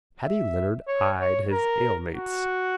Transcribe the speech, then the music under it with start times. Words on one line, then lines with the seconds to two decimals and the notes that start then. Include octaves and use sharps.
Paddy Leonard eyed his alemates.
0.24 E5
0.87 C#5
1.20 C#5
1.52 A#4
2.16 F#4